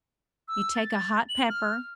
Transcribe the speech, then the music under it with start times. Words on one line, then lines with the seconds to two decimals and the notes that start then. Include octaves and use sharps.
you take a hot pepper
0.48 E6
0.75 A6
1.29 F#7
1.49 F6